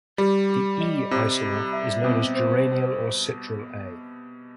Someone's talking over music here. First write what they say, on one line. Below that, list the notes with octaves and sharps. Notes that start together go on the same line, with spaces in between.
The "E"-isomer is known as geranial or citral A.
G3 G4
G4
D#5
C3 E4
E4
E5
B2 C4
C5